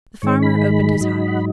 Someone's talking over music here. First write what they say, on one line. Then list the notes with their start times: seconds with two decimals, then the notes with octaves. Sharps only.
The farmer opened his hive.
0.22 G#2 D#3 G#3 C#5
0.43 B5
1.00 G#2 F#3 D#4
1.28 F#5